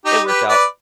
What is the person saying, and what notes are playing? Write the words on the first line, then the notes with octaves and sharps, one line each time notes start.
it worked out.
D#4 G4
G4 B4
B4 D5